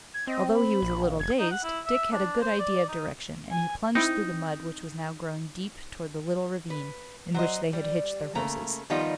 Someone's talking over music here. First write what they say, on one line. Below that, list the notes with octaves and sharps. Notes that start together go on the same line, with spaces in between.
Although he was a little dazed, Dick had a good idea of direction and he plunged through the mud which was now growing deep toward the little ravine in which they had hitched their horses.
G#6
C4 D#5
B5
A#1
F1 G#6
D#4
F#5
E4
E5
D4
C5
D5
D#4
G#5
C4 D#4 E4 G5
B4
F#3 C5 D#5
G3
C#3 A3 A#3 A#5
D#3 F3 G3 B3 D#4 F4